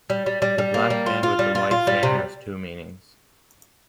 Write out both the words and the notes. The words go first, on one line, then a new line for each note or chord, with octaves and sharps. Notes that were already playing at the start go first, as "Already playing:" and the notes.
The black band with the white frame has two meanings.
G3
G3
G3
G3
A#3
G3
F4
F4
G3
F4
F4
G3
C3